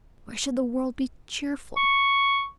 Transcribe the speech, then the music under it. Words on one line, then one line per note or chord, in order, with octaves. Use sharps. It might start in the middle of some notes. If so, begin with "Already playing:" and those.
Why should the world be cheerful?
C#6